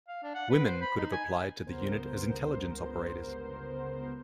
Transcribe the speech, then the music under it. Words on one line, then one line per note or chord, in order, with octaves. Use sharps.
Women could have applied to the unit as Intelligence Operators.
F5
D4
F#5
B4
C5
B5
D#4
G#5
G1 C#2 B3 A#4 C5